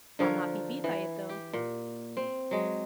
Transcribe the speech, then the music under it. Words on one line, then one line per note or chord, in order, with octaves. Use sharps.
I'll not be beat by it, though.
D3 F3 A#4 C#5
E3
G4
A#2
C4
F#3 G#3